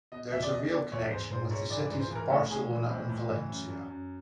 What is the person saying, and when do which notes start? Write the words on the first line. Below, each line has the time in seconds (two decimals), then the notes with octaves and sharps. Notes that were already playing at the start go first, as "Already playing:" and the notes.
There is a rail connection with the cities of Barcelona and Valencia.
0.12 B2 D#5
0.32 E2 E5
0.42 D5
0.52 B2 D#5
0.72 B2 D5
0.92 E2 C#5
1.11 G#2 C5
1.31 G#2 C5
1.51 G#2 C#5
1.70 E3 D5
1.85 D5
1.90 G#2
2.00 C5
2.10 E3 A#4
2.30 A2 A4
2.50 A2 G#4
2.70 E3
2.89 A2 C4
3.09 A2
3.29 E3
3.49 F#2
3.69 F#2
3.88 F#2